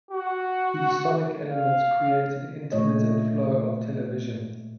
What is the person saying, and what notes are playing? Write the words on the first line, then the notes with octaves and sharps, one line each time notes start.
These sonic elements create an intermittent flow of television.
F#4
F5
A#2 A3 C#5 D#5